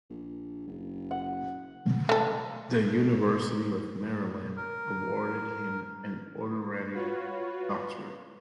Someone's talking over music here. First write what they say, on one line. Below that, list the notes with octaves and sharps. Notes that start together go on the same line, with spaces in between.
The University of Maryland awarded him an honorary doctorate.
A#1
F#1
F#5
A3 A4
A#4
F4 F#4 B4 C#5